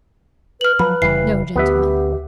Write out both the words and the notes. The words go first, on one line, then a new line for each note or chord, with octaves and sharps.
No gentleman!
B4 F6 F#7
F3 F#3 B4 B5
F1 C#3 E3 G3 C7
D2 B3 G4 B4 E5